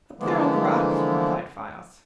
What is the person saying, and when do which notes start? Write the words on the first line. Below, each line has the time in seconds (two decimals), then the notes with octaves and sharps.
"Up there on the rocks," replied Files.
0.20 D3 E3 F3 G#3 A#3 B3